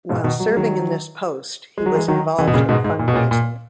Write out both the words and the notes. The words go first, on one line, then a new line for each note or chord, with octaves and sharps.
While serving in this post, he was involved in fundraising.
G#2 B2
B2 D#3
F#3
G#3
D#3 F#3
G#3
F#3
E3 G#3
D#3 F#3
C#3 E3
B2
A#2 C#3
G#2 B2
G#2
A#2
B2
A#2
A#2